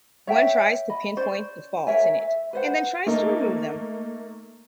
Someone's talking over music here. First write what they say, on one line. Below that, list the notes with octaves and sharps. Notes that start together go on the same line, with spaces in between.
One tries to pin-point the faults in it and then tries to remove them.
C#5 E5 G5
D#5 B5
C#4 C5 D5
A#4 C#5 E5 G#5
E5
B4 C5 F#5
A3 A#3 D#4